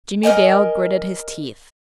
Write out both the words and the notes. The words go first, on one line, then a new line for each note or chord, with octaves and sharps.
Jimmie Dale gritted his teeth.
A#4 C5 D#5 G#5